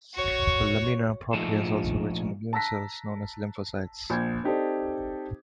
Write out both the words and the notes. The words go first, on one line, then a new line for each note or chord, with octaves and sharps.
The lamina propria is also rich in immune cells known as lymphocytes.
F#4 C#5
A#2 F3 A3 D#4 G#4 A4
A5 A#5 E6 F#6 A#6 B6
A#1 G6 G#6
C4 D#4 G4 A4 C5 D5